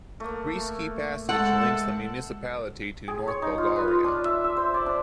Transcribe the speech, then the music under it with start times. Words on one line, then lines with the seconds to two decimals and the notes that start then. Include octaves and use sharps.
Rishki Passage links the municipality to north Bulgaria.
0.20 A3 A#3
1.29 G#3 A4 C5 E5 F#5
3.08 G#4
3.28 C#5
3.42 D#4
3.58 F4
3.76 B4
3.88 F4
4.04 D4
4.25 E5
4.44 E6
4.57 C5
4.74 D5
4.86 D4